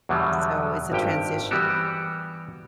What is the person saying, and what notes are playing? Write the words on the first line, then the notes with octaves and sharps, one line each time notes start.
So, it's a transition,
E2 B2 D3 F#3 G3
G#1 G2 G4 G5
E3 G3 B3 F#4 G4